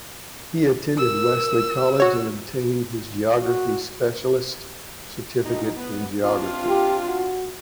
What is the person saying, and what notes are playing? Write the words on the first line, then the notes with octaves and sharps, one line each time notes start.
He attended Wesley College and obtained his Geography Specialist Certificate in Geography.
A#4 E6
F#4 C#5
F#4
D2 D#4
B3
C3 D4 F4
G4
F#4